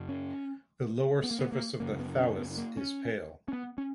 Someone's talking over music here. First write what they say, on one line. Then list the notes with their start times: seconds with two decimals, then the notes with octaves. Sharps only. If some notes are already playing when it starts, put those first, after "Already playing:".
The lower surface of the thallus is pale.
Already playing: F#2 C#3
0.09 C#4
1.23 B3
1.31 A#3
1.39 B3
1.52 A#3
1.80 F#2 C#3 A#3
2.00 B3
2.19 C#4
2.39 B3
2.58 A#3
2.77 C#4
3.48 C#4
3.53 B3
3.78 C#4